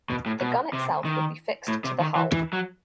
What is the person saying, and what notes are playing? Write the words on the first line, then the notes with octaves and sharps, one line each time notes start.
The gun itself would be fixed to the hull.
B2
A2
B2
C3
D#3
A2
C3
D#3
E3
E3
F#3